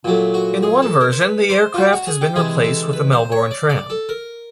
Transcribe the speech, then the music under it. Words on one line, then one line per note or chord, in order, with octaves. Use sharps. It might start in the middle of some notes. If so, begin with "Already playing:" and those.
In one version, the aircraft has been replaced with a Melbourne tram.
A#2 F#3 A3
F#4
G#4
A4
A#4
C5
B4
C5
F4
F#4
F#4
G#4
G4
C3 E3 G#3 G#4
A4
B4
C5
C#5
D5
D5
A4
A#4